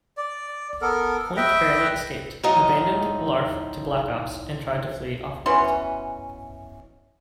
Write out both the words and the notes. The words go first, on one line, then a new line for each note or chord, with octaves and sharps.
Point barely escaped, abandoned Larf to Black Ops, and tried to flee offworld.
D5
B3 A4 A#4
B4 D#5 E5 G5
A2 F#3 D#4 F4 D#5
B2 E3 C#4 C6